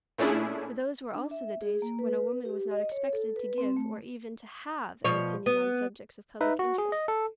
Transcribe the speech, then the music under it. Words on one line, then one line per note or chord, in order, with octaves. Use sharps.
But those were also the days when a woman was not expected to give, or even to have, an opinion on subjects of public interest.
A#2 A3 C#4 D4 E4 G#4
D4
E5
G#4
A#3
B4
G4
D#5
C#5
A4
B4
C4
A3
B2 F3 C#5
B3
D#4 B4 E5
F#4
G#4
D#5
A4